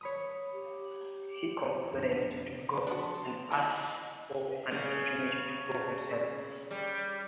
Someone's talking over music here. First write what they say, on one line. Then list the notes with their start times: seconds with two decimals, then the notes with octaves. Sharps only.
He complains to God and asks for an opportunity to prove himself.
0.01 C#5 B5 D#6
0.53 G4
1.94 F1 C#3 D4
2.87 F3 B3 C#4 D4 F#4 A5 C6
3.52 E3 D#4 F#4 G#4 D#5 G#5
4.71 C#3
6.71 G3